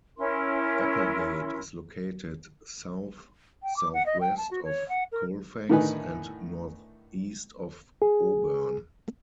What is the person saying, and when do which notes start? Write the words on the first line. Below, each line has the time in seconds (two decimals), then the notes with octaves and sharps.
Applegate is located south-southwest of Colfax, and northeast of Auburn.
0.17 C#4 E4 A#4 C6
3.62 G5
3.76 D6
3.93 F#5
4.06 D#5
4.21 G5
4.37 A5
4.51 F#4
4.64 C#5
4.88 F#5
5.12 A#4
5.69 A2 D3 D#3 D#4 B4 G#5
8.02 G#4